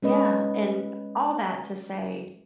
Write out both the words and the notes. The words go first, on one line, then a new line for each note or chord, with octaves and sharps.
Yeah, and all that to say
G#3 C#4 B4 D#5